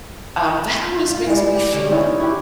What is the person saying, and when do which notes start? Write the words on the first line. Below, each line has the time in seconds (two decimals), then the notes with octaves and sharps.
Um, that always makes me feel good.
1.10 F4
1.27 E3 G3 G#3
1.54 G4
1.73 D3 C#4
1.91 D#3 B3 C#4 E4
2.20 E4 F#4 G4